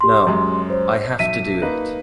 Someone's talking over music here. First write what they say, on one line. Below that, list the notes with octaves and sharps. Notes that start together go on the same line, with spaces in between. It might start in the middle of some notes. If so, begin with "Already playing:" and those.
No, I have to do it.
G4 C6
F#2 G#3
C5 C#5
B1 E5 B6 D#7
A#3 D#4 B4